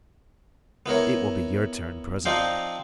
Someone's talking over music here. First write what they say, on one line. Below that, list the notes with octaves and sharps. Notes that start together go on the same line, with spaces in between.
"It will be your turn presently!"
B3 E4 A#4 C#5
F3 C4 D4 D#4 F5